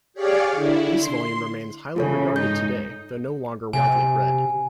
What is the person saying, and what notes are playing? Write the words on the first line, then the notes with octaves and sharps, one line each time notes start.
This volume remains highly regarded today, though no longer widely read.
G4 G#4 C#5 D5 F5
D3 E4
C6
C#3 E3 F4 A4 C#5
G#2 D#4 G6
C3 G#5